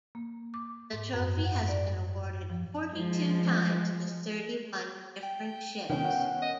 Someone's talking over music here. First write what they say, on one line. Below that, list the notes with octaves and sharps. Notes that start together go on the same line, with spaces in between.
The trophy has been awarded forty-two times to thirty-one different ships.
A#3
D6
G#2
F#2
F#5
D5
F3
F3 G#3
G5
D#3 B3 C#4 G5
F#5
D#5